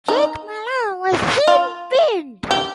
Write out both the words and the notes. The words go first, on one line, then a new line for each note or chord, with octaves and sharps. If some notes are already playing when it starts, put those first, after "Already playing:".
Jake Malone was sin binned.
D#4
F4
G4